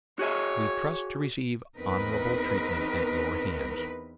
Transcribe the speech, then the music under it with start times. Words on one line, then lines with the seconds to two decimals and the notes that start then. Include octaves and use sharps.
We trust to receive honourable treatment at your hands.'
0.19 F#4 G#4 C#5 E5
1.77 E2 C4 D#4 A#4 B4